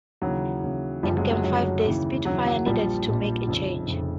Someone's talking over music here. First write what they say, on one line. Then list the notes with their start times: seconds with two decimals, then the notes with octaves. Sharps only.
In game five, the Spitfires needed to make a change.
0.22 D#2 C#3 E3 F#3
0.62 D#2 C#3 E3
1.03 F#1 F#2 D3 F3 G3
1.17 F#3 G#3
1.30 F#3
1.44 F#1 F#2 D3 F#3
1.84 D#2 C#3 E3
2.25 D#2 C#3 E3 F#3
2.46 F#3
2.66 A#1 A#2 F3 G3
3.07 A#1 A#2
3.47 F1 F2 C#3
3.88 F1 F2 C#3